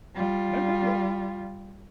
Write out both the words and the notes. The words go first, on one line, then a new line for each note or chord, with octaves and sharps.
No, go for it.
G3 F4